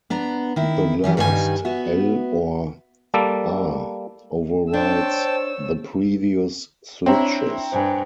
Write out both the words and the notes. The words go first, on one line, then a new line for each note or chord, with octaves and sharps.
The last 'l' or 'r' overrides the previous switches.
B3 D4 A#5
D#3 E4
E3 G3 C#4
G2 D#3 G3 D#4 E4 G#5
B3 F#4 E5
G3 A#3 A4
D4 C5 C#5 G5 A5 E6
C4 D4 E4 C#5 E5 A#5
G2 C5 G5 G#5